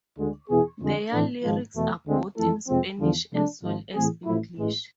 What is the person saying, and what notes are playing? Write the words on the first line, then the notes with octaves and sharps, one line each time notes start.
Their lyrics are both in Spanish as well as English.
D2 D3 G#3
E2 B2 B3 E4 G#4
F2 D3 G#3
A2 E3 A3 D4
G#1 G#2 F3
E2 B2 A3
D2 D3 G#3 C4
F2 E3 A3 E4 A4
F2 C3 F3 G#3 C4
E2 D3 F3
C3 F3 A3 D4
G#1 G#2 F3
A2 E3 A3 C4 G#4
A1 A2 F3 A3 E4
A1 A2 E3 G#3